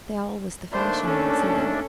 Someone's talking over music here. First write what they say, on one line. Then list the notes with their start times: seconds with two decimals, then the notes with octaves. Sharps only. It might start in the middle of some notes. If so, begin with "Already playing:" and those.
They all was the fashion in the city.
0.72 D#2 A3 D4 C5
1.04 C#4 A4